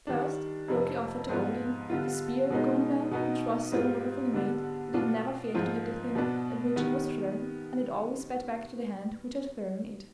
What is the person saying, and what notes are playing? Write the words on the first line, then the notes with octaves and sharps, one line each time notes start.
First, Loki offered to Odin the spear Gungner which was so wonderfully made that it never failed to hit the thing at which it was thrown, and it always sped back to the hand which had thrown it.
D#3 G3 D4
F2 C3 F3
G#2 F3 B3 F4
D3 G3 B3 F4
B2 G#3 B3 D#4
B2 B3 D#4
G#2 G3 C4 F4
D3 G3 B3 D4
B2 B3 D4 F4
G#2 F3 C4 F4
B2 B3 D4
D#3 G3 B3